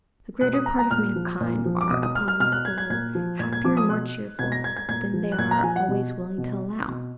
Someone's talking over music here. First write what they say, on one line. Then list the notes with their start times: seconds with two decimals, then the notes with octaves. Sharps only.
The greater part of mankind are, upon the whole, happier and more cheerful than they are always willing to allow.
0.41 B2 F#6
0.53 D#6
0.66 A#5
0.79 A#5
0.91 A#2 F6
1.16 F3
1.41 A#2
1.65 F3
1.81 D6
1.90 B2 D#6
2.03 D#6
2.15 F6
2.28 F6
2.40 B2 F6
2.52 F#6
2.65 G#6
2.78 G#6
2.90 A#2 G#6
3.15 F3
3.39 A#2 G#6
3.53 G#6
3.65 F3 D6
3.77 D#6
3.89 B2 F#6
4.39 B2 G#6
4.52 A#6
4.64 G#6
4.77 G#6
4.89 A#2 G#6
5.14 F3
5.32 F#6
5.38 A#2 G#6
5.51 A#5
5.63 F3 G#5
5.76 F#5
5.88 B2
6.38 B2
6.88 B2